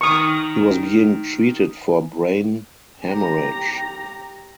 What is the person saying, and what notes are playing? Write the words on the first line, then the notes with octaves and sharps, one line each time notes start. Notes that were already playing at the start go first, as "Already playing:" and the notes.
He was being treated for brain haemorrhage.
D#3 A#4 C#6 D#6
G4 A#5